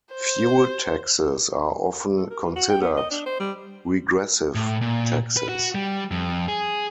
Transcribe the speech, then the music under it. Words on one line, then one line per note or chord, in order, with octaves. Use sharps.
Fuel taxes are often considered regressive taxes.
C5
A4
A#4
E3
F#4
G5
B3
D#5
D4
C5
G3
A2
A#2
B4
F#4
G3
F2
G#4